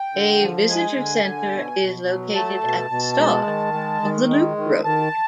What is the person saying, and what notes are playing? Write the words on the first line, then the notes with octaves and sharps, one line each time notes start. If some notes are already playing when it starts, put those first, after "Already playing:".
A visitor center is located at the start of the loop road.
Already playing: G5
D3
F3
G#3 G#5
D3
D3
B2
B2
F#3
A3 A5
B2
B2
G#3
D#3
G#3
D#3
G#3
D#3
D#3 A5